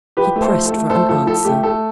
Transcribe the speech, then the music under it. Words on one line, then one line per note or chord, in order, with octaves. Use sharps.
He pressed for an answer.
F3 G4 B4
A3
A4 C5
F3
A4
A3
A3 A4 C5
F3 A4
F3 A4
A3 G4
A3 A4